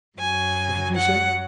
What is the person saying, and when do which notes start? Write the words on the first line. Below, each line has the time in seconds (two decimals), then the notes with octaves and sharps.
"What did you say?"
0.17 F#2 F#3 G#5
0.94 F#5